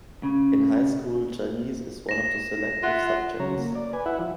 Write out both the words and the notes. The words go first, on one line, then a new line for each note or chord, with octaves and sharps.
In high school, Chinese is one of the selective subjects.
C#3
A#6 E7
F4 E5 F#5
C#3 F#3 C#5 A#5
A#3
D5
B4 G#5
E4 B4 E5 F#5
F3